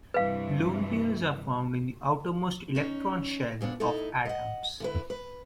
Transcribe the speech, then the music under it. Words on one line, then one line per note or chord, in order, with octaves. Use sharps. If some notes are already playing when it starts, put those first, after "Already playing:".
Lone pairs are found in the outermost electron shell of atoms.
G2 C3 E3 B4 F5
C#4 D#4
F2 A#2 B3 D4
A2 D#4 E4 A4
D#5 F#5
D3 E4 B4
B4